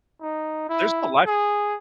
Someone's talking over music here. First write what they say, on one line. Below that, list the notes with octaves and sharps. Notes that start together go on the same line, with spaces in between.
there's no lifeguard.
D#4
E4
G#4